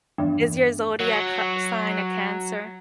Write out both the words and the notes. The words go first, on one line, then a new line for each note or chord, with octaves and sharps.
Is your zodiac h sign a Cancer?
E2 G2
F#3 F#4